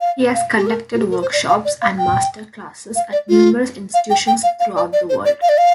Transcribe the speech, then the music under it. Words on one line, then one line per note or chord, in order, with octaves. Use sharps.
He has conducted workshops and master classes at numerous institutions throughout the world.
F5
F5
G4
A#4
F4
G4
A#4
C5
D5
F5
D5
F5
G5
F5
D5
F4
F5
G5
G5
F5
F5
D5
D5
C5
D5
F5
D5
F5